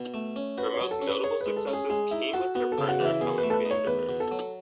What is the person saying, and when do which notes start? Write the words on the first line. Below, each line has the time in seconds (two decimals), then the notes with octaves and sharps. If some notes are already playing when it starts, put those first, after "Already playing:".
Her most notable successes came with her partner Helen Vanderburg.
Already playing: B2
0.14 A3
0.36 C#4
0.58 F#4 B4
0.74 C#5
0.80 F#3
0.91 A4
1.02 C#4
1.07 B4
1.24 G#4 C#5
1.41 B4
1.46 G#3
1.56 A4
1.68 C#4
1.73 G#4
1.90 G#3 G#4
2.11 D#4 E4
2.33 F#4 A4
2.55 B3 F#4
2.72 A4
2.78 C#3
2.88 F#4
3.00 E3 E4
3.21 B2 G#4
3.38 B4
3.43 A3
3.50 A4
3.54 B4
3.65 D#4
3.71 C#5
3.87 E2 B4
4.09 B2
4.20 A4
4.31 F#3